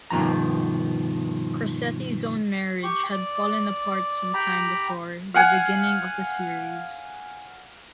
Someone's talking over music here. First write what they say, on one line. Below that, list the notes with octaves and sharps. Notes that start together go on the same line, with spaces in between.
Crosetti's own marriage had fallen apart sometime before the beginning of the series.
G2 B2 D#3 F3 A#5
G4 C#6
D5
G4 G5 A#5 B5
F5 F#5 G#5